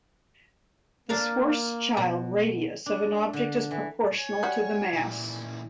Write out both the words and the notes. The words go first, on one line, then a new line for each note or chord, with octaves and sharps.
The Schwarzschild radius of an object is proportional to the mass.
A#3 D4 A#4 F5
B2
D4
D3
E3
C#5 G#5
G3 F#4
A#2 E3